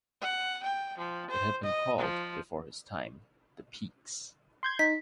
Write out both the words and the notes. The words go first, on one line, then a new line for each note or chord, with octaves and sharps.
It had been called, before his time, the Peaks.
F#5
G5
F3
C5
D#5
F3
C6 G6 G#6
D#4 B6